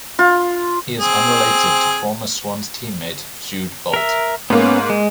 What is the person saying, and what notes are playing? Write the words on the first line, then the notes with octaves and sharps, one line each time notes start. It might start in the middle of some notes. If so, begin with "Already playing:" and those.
He is unrelated to former Swans teammate Jude Bolton.
F4
C4 G#4
A#4 E5
G#2 A#3 B3 C#4
G#3